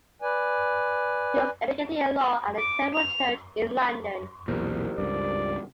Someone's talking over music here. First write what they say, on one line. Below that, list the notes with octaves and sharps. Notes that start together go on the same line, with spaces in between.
He was educated in law at the Temple Church in London.
B4 D5 G#5
D6
F7
B1 E2 A#2 G4 A#4 C5
C#2 G2 D5